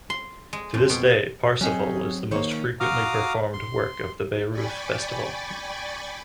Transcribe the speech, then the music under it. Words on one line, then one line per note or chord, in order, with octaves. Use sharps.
To this day "Parsifal" is the most frequently performed work of the Bayreuth Festival.
C6
G#3
F2
B2
F#3 C4 C#4 D#4 G#4
D#3 A#3 C5 C#5
C#4
F#4 F5 A#5 D6 D#6 F6
C6
D5 G5 G#5 B5 C#6 A6